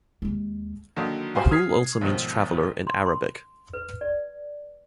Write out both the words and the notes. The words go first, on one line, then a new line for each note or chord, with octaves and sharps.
Rahul also means "traveler" in Arabic.
D#2 G#3
D3 D#3 F#3 A#3
F#4 G4 C5 F5 G#5
D#6 F6 G#6 B6 C7
B1 G#2 D#3 F3
C6
C6
B4
D5